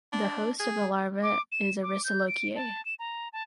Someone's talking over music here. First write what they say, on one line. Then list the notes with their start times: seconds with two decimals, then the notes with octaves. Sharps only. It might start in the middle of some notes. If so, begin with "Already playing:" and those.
The host of the larva is Aristolochiae.
0.13 D4
0.59 G#4
1.23 D6
1.52 E7
1.83 D6
2.05 G6
2.28 D7
2.56 A5
2.85 E7
2.99 A#5
3.33 A5